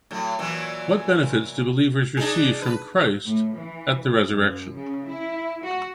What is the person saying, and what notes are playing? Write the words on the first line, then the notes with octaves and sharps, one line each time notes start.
What benefits do believers receive from Christ at the resurrection?
A2 F#3
A#2 E3 F#3
D4 D#4 G#4
B4
A2
E3
F#2
C#3
E4
F#4